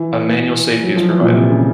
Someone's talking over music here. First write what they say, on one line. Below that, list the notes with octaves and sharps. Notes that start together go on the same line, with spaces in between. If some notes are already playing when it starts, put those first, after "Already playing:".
A manual safety is provided.
Already playing: E3
F#3
F3
E3
A#2
C3
C#3